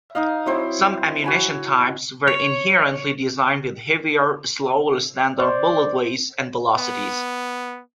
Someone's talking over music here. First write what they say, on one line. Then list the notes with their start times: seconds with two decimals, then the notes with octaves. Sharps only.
Some ammunition types were inherently designed with heavier, slower standard bullet weights and velocities.
0.15 D#4 D#5 F5
0.46 F#3 C4 E4 C5
1.24 F#4 G#5 B5
2.28 C#5
5.39 C5 D5
6.78 B3